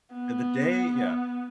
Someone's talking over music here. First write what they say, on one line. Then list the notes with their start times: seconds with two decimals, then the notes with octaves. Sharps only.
and the day yeah.
0.14 B3